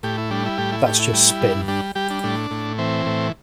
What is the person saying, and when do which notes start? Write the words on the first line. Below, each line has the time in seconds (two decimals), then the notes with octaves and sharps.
That's just spin.
0.03 A2 G4
0.18 E4
0.31 G3 D4
0.45 E4
0.58 A2 G4
0.72 E4
0.86 A2 G4
0.99 E4
1.13 G3
1.41 G2
1.68 G3 D4
1.95 G3 G4
2.10 D4
2.23 A2 D4
2.51 A2
2.78 E3 C4
3.06 A2